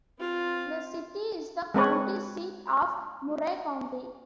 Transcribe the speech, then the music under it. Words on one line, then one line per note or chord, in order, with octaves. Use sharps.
The city is the county seat of Murray County.
C4 F4
G#3 C4 B4 C#5